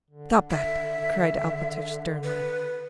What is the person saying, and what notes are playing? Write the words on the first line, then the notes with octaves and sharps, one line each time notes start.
"Stop that!" cried Alpatych sternly.
D3
E5
B4